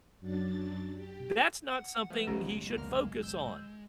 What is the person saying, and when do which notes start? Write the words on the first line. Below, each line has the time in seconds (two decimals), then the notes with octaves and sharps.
That's not something he should focus on.
0.20 F#2 F#3 D4 A6
0.93 G4
1.68 F#5
2.10 F3 G#3 A3 B3
2.27 F#1 B1 B2 C#4 G4
2.77 D2 A#3 F6
3.23 E6 G6